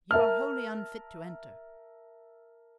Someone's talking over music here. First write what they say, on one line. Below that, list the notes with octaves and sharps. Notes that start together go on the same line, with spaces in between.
You are wholly unfit to enter.
A#4 E5 A5 F6